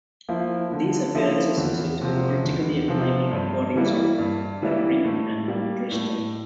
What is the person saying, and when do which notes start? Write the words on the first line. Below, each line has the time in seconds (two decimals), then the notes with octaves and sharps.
These appearances resulted in critically acclaimed recordings of the "Ring" and "Tristan".
0.29 F3 A#3 E4
0.72 D3
1.15 F3 A#3 E4
1.58 E2
2.01 C3 F3
2.45 E2
2.88 C3 F3
3.31 G2
3.76 E3 G3 A#3 E4
4.18 G2
4.62 E3 G3 A#3 E4
5.05 A2
5.48 G3 A#3
5.92 A2